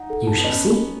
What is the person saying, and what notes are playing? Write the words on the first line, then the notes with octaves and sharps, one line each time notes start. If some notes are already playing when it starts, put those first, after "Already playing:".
"You shall see."
Already playing: D#4 F#5
A4
A5
B3
C#4 D#5